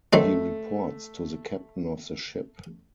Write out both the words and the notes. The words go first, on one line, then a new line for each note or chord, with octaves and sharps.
He reports to the captain of the ship.
D#3 F#3 A3 C4